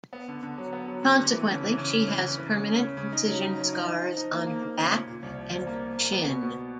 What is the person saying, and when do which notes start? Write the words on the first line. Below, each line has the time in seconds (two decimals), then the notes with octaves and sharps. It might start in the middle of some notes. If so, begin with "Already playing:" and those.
Consequently, she has permanent incision scars on her back and shin.
0.13 B3
0.28 D3
0.43 D3
0.58 F#3
0.73 B3
0.88 F#3
1.03 D3
1.18 D3
1.32 E3
1.47 C#3
1.63 E3
1.77 C#3
1.93 C#3
2.07 E3
2.23 C#3
2.38 E3
2.52 C#3
2.68 C#3
2.82 C#3
2.97 C#3
3.12 D#4
3.27 F#3
3.42 D#4
3.57 F#3
3.73 D#4
3.87 D#4
4.02 F3
4.17 D#4
4.32 A#3
4.47 A#3
4.62 A#3
4.78 C#3
4.92 A#2
5.07 A#2
5.23 C2
5.38 F3
5.52 C2
5.67 A#3
5.83 F3
5.98 A#3
6.12 B3
6.28 B2
6.43 B2